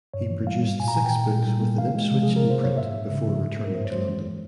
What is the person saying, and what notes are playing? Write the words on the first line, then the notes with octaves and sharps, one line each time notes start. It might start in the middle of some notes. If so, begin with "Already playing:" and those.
He produced six books with an Ipswich imprint before returning to London.
G2 C#5
E3
G3 F5
G#2
A#2 G#5
A#5
A#2 G#5
G5
A#2
A#2
G3
A#3
E3 F5
G#3
C3
F3 G#4
A#4
C3
C5
A#3 C#5
G#2 E5
G#2
C#3
F3
G#2
A#3 A#4
G2 C5
C#5
G#3 C5
E3